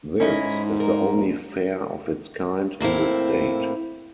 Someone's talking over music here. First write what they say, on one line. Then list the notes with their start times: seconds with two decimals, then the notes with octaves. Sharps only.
This is the only fair of its kind in the state.
0.20 G#2 C#4 D#4 E4
0.42 G#2
0.80 A#4
1.16 A#1
2.80 A2 A#3 C4 E4